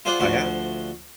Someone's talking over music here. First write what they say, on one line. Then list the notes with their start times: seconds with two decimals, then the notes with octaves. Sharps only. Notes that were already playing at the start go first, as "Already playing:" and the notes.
I have.
0.05 F4 G#4 C5 D5 F#5 G5
0.20 D2 F3 F#4 C6